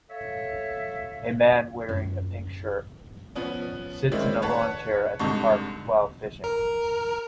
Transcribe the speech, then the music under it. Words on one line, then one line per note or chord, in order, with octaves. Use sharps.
A man wearing a pink shirt, sits in a lawn chair at the park while fishing.
A4 C#5 E5 F5
F#2 F4
F3 B3 C#4
D#3 G#3 C4 C#4 E4 D5
B4 C#5 F#5 A5
C2 G#2 D3 D#4 A5 C#6
A#4